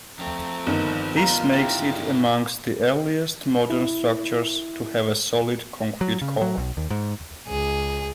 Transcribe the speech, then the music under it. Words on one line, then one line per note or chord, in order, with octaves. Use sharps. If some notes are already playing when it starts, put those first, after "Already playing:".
This makes it amongst the earliest modern structures to have a solid concrete core.
F2 A3 C4 A#5
G1 D#3
F4 A#5
E4 G4
E4
F#3
C#3
F#3
B1
D#2
G#2
C#2 G#4